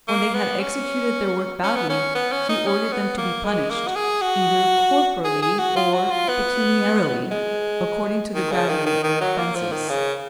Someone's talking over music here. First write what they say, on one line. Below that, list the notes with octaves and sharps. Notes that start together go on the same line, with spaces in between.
When they had executed their work badly, he ordered them to be punished, either corporally or pecuniarily, according to the gravity of their offences.
A#3
B3
C#4
C#4
B3
C#4
B3
C#4
D#4
C#4
B3
A#3
G#3
A#3
F#4
G#4
F#4
G#4
G#4
F#4
F4
F#4
F4
B3
G#3
D#3
C#3
D#3
D#3
D#3
F#3
A#3
F3
D#3
C#3